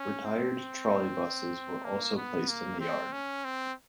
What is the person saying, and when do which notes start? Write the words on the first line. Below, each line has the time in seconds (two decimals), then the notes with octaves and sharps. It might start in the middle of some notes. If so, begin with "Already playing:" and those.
Retired trolley buses were also placed in the yard.
Already playing: C#4
0.25 C4
1.84 A#3
2.17 B3
2.49 A#3
2.80 C4
3.12 C#4
3.45 C4